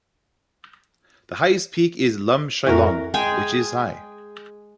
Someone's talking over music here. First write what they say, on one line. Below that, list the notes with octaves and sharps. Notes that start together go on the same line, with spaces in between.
The highest peak is Lum Shyllong which is high.
F2 E3 F#4 A#4
G#3 G#4 G5 G#5